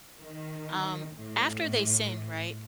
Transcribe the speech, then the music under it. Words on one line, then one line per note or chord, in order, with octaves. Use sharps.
um, after they sinned, right?
D#3
A2